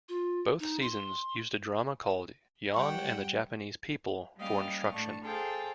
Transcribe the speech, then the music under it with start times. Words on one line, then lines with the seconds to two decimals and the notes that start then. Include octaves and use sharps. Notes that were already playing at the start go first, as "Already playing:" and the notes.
Both seasons used a drama called "Yan and the Japanese People" for instruction.
0.09 F4
0.60 D#4
0.82 C6
2.74 G3 F#5 G5 C#6
4.38 G3 A#3 C#4 D#5 F5 G5
4.90 A2 D4 C#6
5.24 G#4 A4 C5 F5 G5 A5